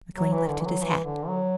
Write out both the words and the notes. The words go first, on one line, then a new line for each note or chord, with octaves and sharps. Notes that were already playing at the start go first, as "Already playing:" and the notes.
McLean lifted his hat.
F#3
E3
D3
E3
F#3
E3
D3
F#3